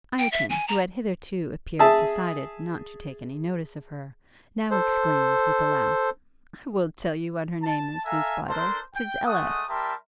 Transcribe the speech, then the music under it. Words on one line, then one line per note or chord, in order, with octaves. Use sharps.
Ireton, who had hitherto appeared decided not to take any notice of her, now exclaimed, with a laugh, 'I will tell you what her name is, Miss Bydel; 'tis L.S.'
G5
E5
G#5
A#5
G#4 E5 A5
A4 C5
A5
A4 E5 F5 G#5 A#5
D4 A4 A#4 C5
G5
G#3 A3 F#5 D#6
G3 G4 A#4 E5 A5 C6